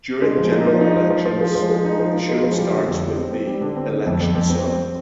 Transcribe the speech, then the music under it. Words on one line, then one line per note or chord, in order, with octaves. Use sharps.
During general elections, the show starts with the 'election song'.
G#3
F3
D#4
F3
D#4
F3
F3
F3
G#3
F3
G#3
D#4
F3
D#4
G#3
F3
G3
D3
F2
G3
C4
C4
G3
D3
C4
D3
F2
F2
F2
C4
C4